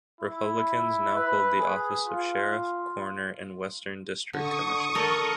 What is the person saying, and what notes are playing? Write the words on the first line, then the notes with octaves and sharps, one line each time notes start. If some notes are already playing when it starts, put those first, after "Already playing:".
Republicans now hold the office of Sheriff, Coroner, and Western District Commissioner.
E4
B4
G#4
F4
D3 C#6 D#6
A4 A#4